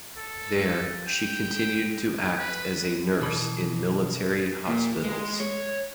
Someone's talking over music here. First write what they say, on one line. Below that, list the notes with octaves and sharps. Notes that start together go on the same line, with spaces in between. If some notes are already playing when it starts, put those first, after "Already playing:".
There, she continued to act as a nurse in military hospitals.
A4
G5
B4
B2 E3 B5
A#2
G#3
C#5